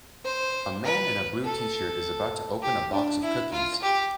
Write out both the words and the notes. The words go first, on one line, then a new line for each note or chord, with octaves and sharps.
A man in a blue tshirt is about to open a box of cookies.
C5
B4
A4
G4
D4
E4
F4
G4